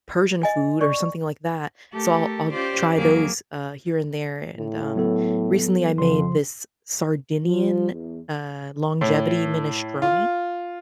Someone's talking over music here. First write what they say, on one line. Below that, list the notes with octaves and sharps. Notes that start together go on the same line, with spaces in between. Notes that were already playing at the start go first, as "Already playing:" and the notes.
Persian food," or something like that, so I'll I'll try those, uh, here and there. And, um, recently, I made this, Sardinian, uh, longevity minestrone,
D#5 G#5
D5 C#6
A3 G4 A4 A#4
C#4 F4 G4 C5 D5
F2 F#3 A#3 G#4 D6
A2
F#3 B3 A4
F2 C#3 F3 C6
F3
E2
A2
F4